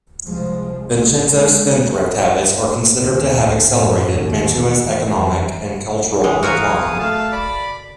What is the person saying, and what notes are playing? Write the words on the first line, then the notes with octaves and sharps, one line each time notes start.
Vincenzo's spendthrift habits are considered to have accelerated Mantua's economic and cultural decline.
C2 F3 G#3
C#2 A#2 D3 G#3
D#2
D2 A2
F#2 A2
D#2
E3
F2
E3 G#3
F#4 A#4 E5 F5 G#5 D#6
A3 F5 A5
D5 B5 D6